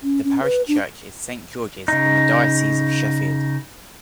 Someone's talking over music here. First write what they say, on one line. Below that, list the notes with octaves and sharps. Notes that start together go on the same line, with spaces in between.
The parish church is Saint George's, in the Diocese of Sheffield.
C#4
C#4
B4
D4
C#3 D#4